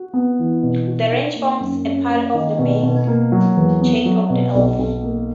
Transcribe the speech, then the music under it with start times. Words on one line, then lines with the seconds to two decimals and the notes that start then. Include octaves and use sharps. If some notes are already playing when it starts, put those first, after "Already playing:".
The range forms a part of the main chain of the Alps.
Already playing: F#4
0.14 B3
0.39 E3
0.63 B2
0.87 F#4
1.12 D#4
1.36 A#3
1.60 F#2
1.85 C#4
2.10 A#3
2.34 D#3
2.59 B2
2.83 B2
3.07 A#3
3.32 F#3
3.57 E2
3.81 B3
4.05 F#3
4.30 B2
4.55 B1
4.79 B1
5.03 A#3